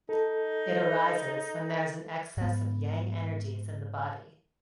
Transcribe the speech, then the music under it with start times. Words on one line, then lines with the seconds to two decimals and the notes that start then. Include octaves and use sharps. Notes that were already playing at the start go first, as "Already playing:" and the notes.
It arises when there is an excess of Yang energies in the body.
0.09 D#4 A4
2.37 G#2 B3